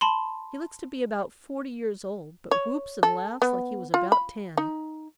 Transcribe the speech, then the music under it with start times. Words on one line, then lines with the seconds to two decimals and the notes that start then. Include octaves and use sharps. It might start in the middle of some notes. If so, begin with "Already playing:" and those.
He looks to be about forty years old, but whoops and laughs like he was about ten.
0.01 A5 B5 C6
2.51 C#5
3.03 A4
3.42 B3
3.94 F4
4.12 B5
4.57 D#4